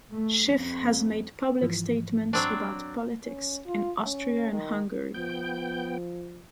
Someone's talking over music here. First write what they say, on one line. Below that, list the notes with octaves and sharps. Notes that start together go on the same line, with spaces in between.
Schiff has made public statements about politics in Austria and Hungary.
A3
F2
G#2 E3 F3
F#3 C4 D4
C#4
F4
C#4
D#3
F3 B3 G5 G6